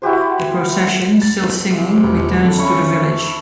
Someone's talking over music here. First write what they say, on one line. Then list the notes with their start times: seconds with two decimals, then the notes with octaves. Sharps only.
The procession, still singing, returns to the village.
0.02 E4 F#4 G4 C5
1.22 A6
1.69 C3
2.03 E1
2.44 F2 D3
2.58 C#4 E4 C#6